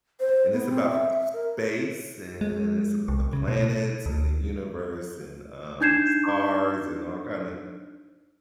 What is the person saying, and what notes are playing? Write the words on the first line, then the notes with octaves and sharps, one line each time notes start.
And, it's about sp space, and it's about the planets and the universe and, um, stars and all kinda
C5
B3
C4
E5
A#4
G#3
C2
C#3
B2
D2
D4 D#4 G6 G#6 C7 E7